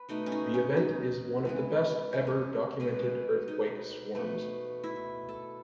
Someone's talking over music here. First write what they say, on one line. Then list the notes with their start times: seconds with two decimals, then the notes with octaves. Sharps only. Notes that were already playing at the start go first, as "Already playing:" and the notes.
The event is one of the best ever documented earthquake swarms.
Already playing: B4
0.09 B2 A3 D#4
0.26 C#4
0.32 D#4
0.54 C#4
0.77 D#4
1.45 E3 G#3 B3
2.13 C#4
2.27 C#4
2.80 B2 G#3 B3
3.48 D#4
4.15 B2 A3
4.84 E4
5.29 A4